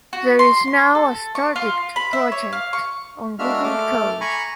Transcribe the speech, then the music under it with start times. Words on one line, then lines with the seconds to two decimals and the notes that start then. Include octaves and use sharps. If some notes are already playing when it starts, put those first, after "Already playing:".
There is now a StarDict project on Google Code.
0.13 F#4
0.39 C6
0.68 C6
0.95 A4
1.35 C#6
1.56 F4
1.96 B5
2.13 E5
2.32 C#5
2.52 F5
2.73 C#6
3.39 G#3 A#3 D4 F#4 E5 F6
3.64 A3 D6 F6
4.21 G#5 A#5 B5 C#6